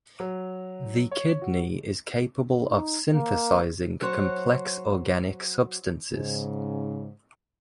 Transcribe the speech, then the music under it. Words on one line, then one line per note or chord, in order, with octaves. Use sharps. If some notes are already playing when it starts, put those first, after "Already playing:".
The kidney is capable of synthesizing complex organic substances.
F#3
C#5
F#4
D#4
A#3
F#3 F#4 C5 C#5
G#2 C#3